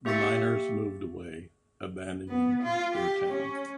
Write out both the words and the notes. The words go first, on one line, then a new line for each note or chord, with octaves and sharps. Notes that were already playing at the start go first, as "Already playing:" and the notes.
The miner's moved away, abandoning their town.
A#3 G4 E5 C#6 A6 C#7
B3
F4
G4
C#4